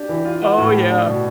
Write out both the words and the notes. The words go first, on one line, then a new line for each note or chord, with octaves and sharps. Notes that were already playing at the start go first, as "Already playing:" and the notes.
Oh yeah.
Already playing: D4 G4
E3
F4
B3
A2
G4
D4
B2